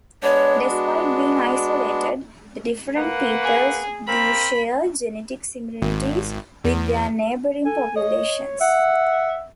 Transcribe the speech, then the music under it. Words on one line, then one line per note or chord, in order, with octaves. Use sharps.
Despite being isolated, the different peoples do share genetic similarities with their neighboring populations.
G#3 B3 D4 C#5
F#4
A#3 B4 F#5
G#4
A#3 C4 A#4 B5
G#1
E2
A4 G#5
C#5 D#5
E5 F#5